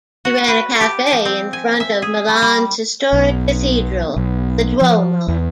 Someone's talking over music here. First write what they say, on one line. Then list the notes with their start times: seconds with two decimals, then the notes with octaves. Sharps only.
He ran a cafe in front of Milan's historic cathedral, the Duomo.
0.25 F#4
0.48 B4
0.81 G4
1.12 F3
1.25 C4
1.53 G#5
1.80 E5
2.02 G#4
2.28 G3
2.42 G3
3.13 B1
4.16 B1
4.81 F3
5.28 E2